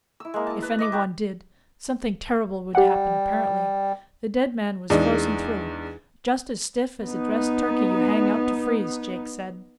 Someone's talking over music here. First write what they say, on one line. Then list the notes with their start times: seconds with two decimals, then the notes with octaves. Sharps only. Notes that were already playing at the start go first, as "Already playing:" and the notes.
If any one did, something terrible would happen, apparently. The dead man was frozen through, "just as stiff as a dressed turkey you hang out to freeze," Jake said.
0.20 E4 E6
0.34 G#3 A#3
0.47 D#5 A5
0.62 B4
0.79 D#5 E5 D6
0.92 G3 C#5 F#5 A#5
2.75 G3 G4 F#5
4.90 E2 G#3 D4 D#4
7.03 B3 D#4